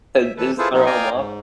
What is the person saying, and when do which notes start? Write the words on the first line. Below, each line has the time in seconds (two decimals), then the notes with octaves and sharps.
and just throw 'em off.
0.23 E5
0.38 E3 A4 B4
0.58 E4 F4 G#4 A4 B4 C5
0.74 A#2 F3 B3 D#4
0.86 D5 D#5 F5 G5 G#5 A#5
1.14 G#2